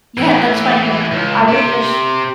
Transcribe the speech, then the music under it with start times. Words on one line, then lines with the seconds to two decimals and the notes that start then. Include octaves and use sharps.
Yeah, that's funny 'cause I I was just
0.18 A2 E3
1.11 C#2
1.48 C3